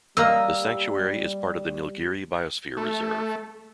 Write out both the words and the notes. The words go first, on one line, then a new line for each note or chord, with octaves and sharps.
The sanctuary is part of the Nilgiri Biosphere Reserve.
G3 A#3 D#5 E6
A3